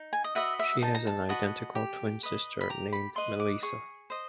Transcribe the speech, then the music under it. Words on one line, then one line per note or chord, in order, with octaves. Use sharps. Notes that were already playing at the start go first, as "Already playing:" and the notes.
She has an identical twin sister named Melissa.
Already playing: D#4
G#5
D#5
F#4 B4 D#5 E5
E5
D#4 A5
A#5
A5
F#4 B4 D#5
G4
B4 D#5
B5
G4 A#5
B5
B4 D#5 C6
D6
G#4 C#6
C5 D#5